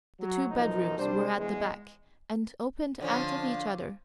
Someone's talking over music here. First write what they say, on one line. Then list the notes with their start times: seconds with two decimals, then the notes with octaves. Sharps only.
The two bedrooms were at the back, and opened out of each other.
0.20 F#3
0.50 B1 F#2 F3 D#4
0.96 C2 G3 D4 C5
1.37 E2 G#3
3.00 D3 F3 C#4